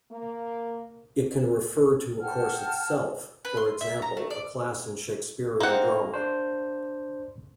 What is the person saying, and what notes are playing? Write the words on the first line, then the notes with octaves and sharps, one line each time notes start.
It can refer to a course itself, for example, a class in Shakespearean drama.
A#3
F#5 G5 A5 F6
B4
C6
E5
A#5
A3
D5
A#3 C4 D#4 C5 F#5
D4 C5